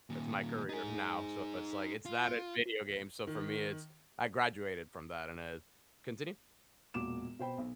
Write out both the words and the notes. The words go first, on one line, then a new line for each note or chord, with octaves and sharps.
That's my career now, so it's, like, it's that and video games, so for me it's I graduated from that, and it continue.
D#2 A#2
D#4 G#4
F4
D#3
E1 A#2 F#4 D6 E7
B2 C5 G5 B5
B1